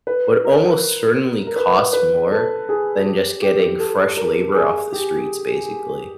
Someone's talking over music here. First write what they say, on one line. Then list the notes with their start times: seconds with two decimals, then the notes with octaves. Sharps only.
would almost certainly cost more than just getting fresh labor off the streets, basically.
0.07 B4
0.45 A#4
1.47 A#4
1.56 B4
1.93 B4
2.31 A4
2.69 G#4
3.06 G4
3.42 G4
3.80 A4
4.17 A#4
4.55 G#4
4.93 G4